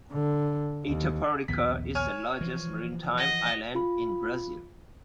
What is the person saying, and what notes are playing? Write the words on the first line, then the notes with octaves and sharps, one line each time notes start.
Itaparica is the largest maritime island in Brazil.
D3
D#2
A#1 D#2 B3 B6
C#5 G#5 F6
E3 F3
D#5 F#5
F4 B5